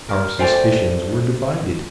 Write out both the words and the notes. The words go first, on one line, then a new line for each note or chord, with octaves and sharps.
Our suspicions were divided.
A#4
A3 C5 D5 G5 G#5